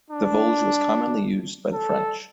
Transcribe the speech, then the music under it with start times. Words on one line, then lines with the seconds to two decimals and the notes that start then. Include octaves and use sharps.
The voulge was commonly used by the French.
0.10 D4
1.73 A4